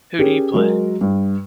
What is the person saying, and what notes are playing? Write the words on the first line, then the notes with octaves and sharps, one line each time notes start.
Who do you play?
C#4 G4 G#4 A#4
F#3 G#3 A#4
G2